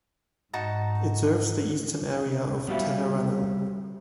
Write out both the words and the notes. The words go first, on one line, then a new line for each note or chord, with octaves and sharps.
It serves the eastern area of Teheranno.
G#2 D#4 F#4 A5
G3 B3 E4 F#4 E5 F5